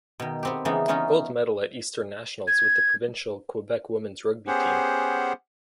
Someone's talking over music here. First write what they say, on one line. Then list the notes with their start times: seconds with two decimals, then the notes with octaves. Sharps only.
Gold Medal at Eastern Nationals with the Provincial Quebec Women’s Rugby team.
0.20 B2 D#3
0.43 B3 C4 G4
0.65 C#3 E3 G3 B3 D#4
0.88 E3 B3 C#4 D#4 F4 A#5
2.47 G#6
4.47 B3 C#4 G4 G#4 C5 F#5